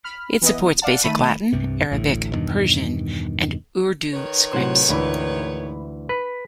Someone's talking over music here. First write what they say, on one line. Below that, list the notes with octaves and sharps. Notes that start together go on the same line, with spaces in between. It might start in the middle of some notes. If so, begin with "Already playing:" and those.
It supports basic Latin, Arabic, Persian, and Urdu scripts.
B5 F6
E3 B3 E4 D#5
D5 F5 F#5 A5
D#3 A3 B5 D#7
C2 G2 C3
A1 D2 A2
E2 G2 B2 D#3
D#3 B4 C#5
A2 C3 F#3 C5 F#5
D2 G#2 E3 B5
B4 B6